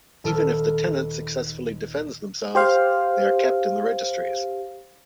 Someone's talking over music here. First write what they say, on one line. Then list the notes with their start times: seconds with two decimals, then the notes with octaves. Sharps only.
Even if the tenant successfully defends themselves, they are kept in the registries.
0.24 D#1 A4 A5 E6 F6
2.55 G4 C5 F5